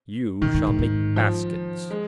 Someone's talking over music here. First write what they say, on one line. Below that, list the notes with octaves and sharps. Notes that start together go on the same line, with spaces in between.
You shall make baskets.'
A2 D#3
G#2
A2
G#2
F3
G#3